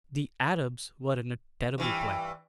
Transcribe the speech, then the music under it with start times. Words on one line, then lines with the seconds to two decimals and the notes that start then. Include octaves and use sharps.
The Arabs were in a terrible plight.
1.78 G2 E3